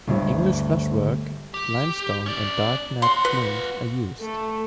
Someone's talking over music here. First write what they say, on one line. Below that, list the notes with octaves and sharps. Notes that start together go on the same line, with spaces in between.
In English flushwork, limestone and dark knapped flint are used.
G1 D2
G4
C#4 D5
F4 F#5 C6
B4
A3